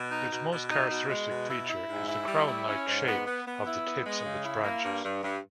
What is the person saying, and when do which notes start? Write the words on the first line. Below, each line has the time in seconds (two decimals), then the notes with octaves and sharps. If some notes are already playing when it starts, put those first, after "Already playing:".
Its most characteristic feature is the crown-like shape of the tips of its branches.
Already playing: B2
0.11 D#4
0.31 B2
0.51 B2
0.70 D#4
0.90 B2
1.10 G#3
1.29 B2
1.49 E4
1.69 E4
1.89 G#2
2.08 E4
2.28 G3
2.47 E4
2.67 C#4
2.87 G#2
3.07 B3
3.26 B3
3.46 B3
3.66 E4
3.85 B3
4.05 G#3
4.24 C#3
4.44 E4
4.63 A#3
4.84 G2
5.04 G2
5.23 G2